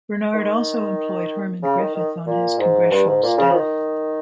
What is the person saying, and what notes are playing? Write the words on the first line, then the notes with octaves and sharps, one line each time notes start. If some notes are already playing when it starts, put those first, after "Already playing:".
Bernard also employed Herman Griffith on his congressional staff.
D#3
C#3
D#3
D#3
A#2
G#2
G2
G#2
A#2
C#3
F3
D#3